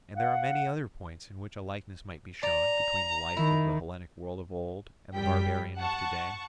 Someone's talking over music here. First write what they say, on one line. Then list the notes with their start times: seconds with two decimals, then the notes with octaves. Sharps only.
And there are many other points in which a likeness might be shown between the life of the Hellenic world of old and the barbarian of to-day.
0.16 F5 F#5
2.43 D5 A#5
3.37 D#3 E4
5.15 F#2 G3 G5 B6
5.78 F#5 A5 C#6